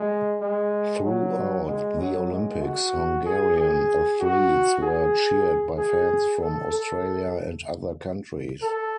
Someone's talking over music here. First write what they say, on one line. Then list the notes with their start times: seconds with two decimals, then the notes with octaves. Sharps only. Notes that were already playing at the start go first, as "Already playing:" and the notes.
Throughout the Olympics, Hungarian athletes were cheered by fans from Australia and other countries.
Already playing: G#3
0.41 G#3
1.04 F#3
1.67 G#3
1.99 F#3
2.31 G#3
2.62 F#4
3.25 G#4
3.57 G#4
4.20 F#4
4.83 G#4
5.78 G#4
6.41 A4
6.73 A4
8.62 A4